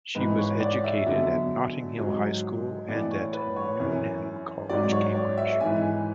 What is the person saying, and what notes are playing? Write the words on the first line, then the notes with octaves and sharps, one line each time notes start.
She was educated at Notting Hill High School and at Newnham College, Cambridge.
G#2 E3 B4
C#5
D5
E5
E2 D3 F#3 E5
G#2 F#3
A2 E3 D5
C#5
B4
C#5
F#2 E3
G#2 F#3 D5
C#5
D5
E5
G#2 E3 G#5